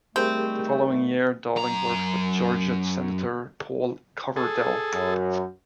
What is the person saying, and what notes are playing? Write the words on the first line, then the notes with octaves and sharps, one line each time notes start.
The following year, Darling worked for Georgia Senator Paul Coverdell.
D#3 G3 A3 C4 G4 G#4 A#4
F#2 A#5
G#4 A4
F#2